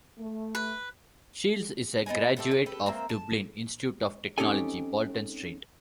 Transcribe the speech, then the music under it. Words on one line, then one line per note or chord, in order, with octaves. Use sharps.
Shields is a graduate of Dublin Institute of Technology - Bolton Street.
A3
B4
B3 D#4 A#4 G#5
A3 C4 G4 A4
C#4
G4 A4 B4
A#3 C4 E5
A5
C4 C#4 D#4 G4 A4 G#5